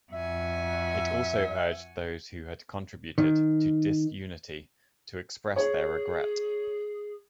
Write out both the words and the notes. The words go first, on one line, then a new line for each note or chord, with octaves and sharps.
It also urged those who had contributed to disunity to express their regret.
F2 F#4 E5 G#5
D#3
G#4 C#5